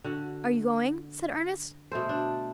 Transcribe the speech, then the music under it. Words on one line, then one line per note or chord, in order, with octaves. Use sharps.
"Are you going?" said Ernest.
D3 F#4 F#5
B2 A3 A4 C5
D4